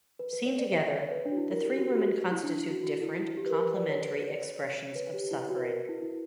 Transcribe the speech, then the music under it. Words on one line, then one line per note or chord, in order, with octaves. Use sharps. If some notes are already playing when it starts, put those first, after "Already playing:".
Seen together, the three women constitute different, complementary expressions of suffering.
B4
B4
C#5
D5
E5
D5
C#5
B4
D4
F#4
E4
A#4
G4
F#4
G4
F#4
E4
D4
E4
F#4
F#4
E4
E4
G4
B4
A#4
B4
D5
C#5
B4
C#5
D5
C#5
C#5
C#5
B4
G4
E4
F#4
B4
A#4
E4
E4